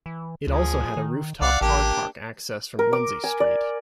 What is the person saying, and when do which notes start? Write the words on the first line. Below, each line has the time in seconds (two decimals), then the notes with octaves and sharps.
It also had a roof-top car park accessed from Lindsay Street.
0.06 E3
0.47 D2 F3 G#4
0.97 D#3
1.41 C2 D5 F5 F#5
1.61 A1 A#3 D4 G4
2.79 A#4
2.93 D6
3.24 G#5
3.40 D5